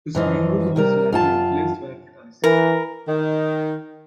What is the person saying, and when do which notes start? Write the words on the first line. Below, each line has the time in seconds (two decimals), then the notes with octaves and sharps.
This mural was later replaced by advertising.
0.15 F#2 E3 F3 D#5
0.76 C3 G3 A#4
1.12 F#2 F4 A5
2.44 E3 A#4
3.07 D#3